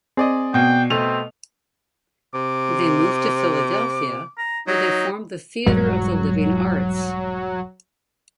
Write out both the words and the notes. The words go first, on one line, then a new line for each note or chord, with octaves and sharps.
They moved to Philadelphia where they formed the Theatre of the Living Arts.
C4 G#4 D5 D#5
B2 G5
B2 A3 C4 D#5 F7
C3 D6
A#5
F#3 D#4
E1 G#2 F#3 G3